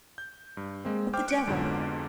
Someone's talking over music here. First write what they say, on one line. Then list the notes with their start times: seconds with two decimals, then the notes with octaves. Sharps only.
What the devil!
0.18 G6
0.57 G2
0.85 G#3 A#3 C4
1.13 C5 G5 D6 F6 G6
1.27 F#6 C#7 D7
1.47 F2 G#2 B2 D3 F3